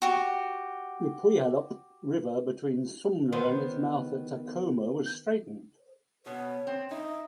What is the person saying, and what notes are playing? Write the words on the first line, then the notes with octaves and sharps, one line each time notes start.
The Puyallup River between Sumner and its mouth at Tacoma was straightened.
F#4 G4
D#3 B3 C5
B2 B3 C#5
C4
D#4 E5